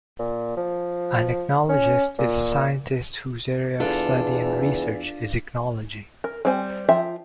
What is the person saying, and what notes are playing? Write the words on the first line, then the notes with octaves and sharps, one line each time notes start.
An ichnologist is a scientist whose area of study and research is ichnology.
A#2
F3
C#4
A#2
E2 D4 F4 A4
A#4
G3 C4 C5 G#5
F3 F4 E5 G5